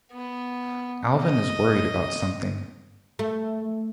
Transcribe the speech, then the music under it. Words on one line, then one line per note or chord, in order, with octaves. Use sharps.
Alvyn is worried about something.
B3
D#5
A3